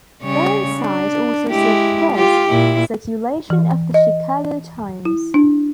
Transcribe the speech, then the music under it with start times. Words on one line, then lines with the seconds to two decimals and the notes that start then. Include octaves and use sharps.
Burnside also suppressed circulation of the "Chicago Times".
0.22 C#3 G3 C#5
0.76 D4
1.50 G#3 E4 G4
2.14 F4 G4
2.49 A#2 E4
3.50 E3
3.94 D#5
5.05 E4
5.34 D4